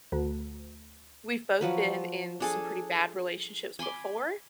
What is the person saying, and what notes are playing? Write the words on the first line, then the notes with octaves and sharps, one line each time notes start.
we've both been in some pretty bad relationships before,
D2
F3 F#3 B4
D4 G#4 A4
G#5 B5 C6 D6